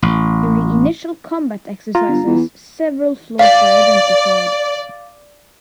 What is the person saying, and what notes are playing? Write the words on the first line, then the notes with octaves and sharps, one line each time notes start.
During initial combat exercises, several flaws were identified.
A1
F4 A#5
G1
E2
D5 F5